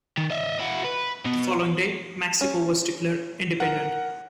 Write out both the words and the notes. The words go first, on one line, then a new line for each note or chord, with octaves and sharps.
The following day Mexico was declared independent.
D#3
D#5 E5
E4 F#4
B4
B2 B3
C#4
A#4 F#5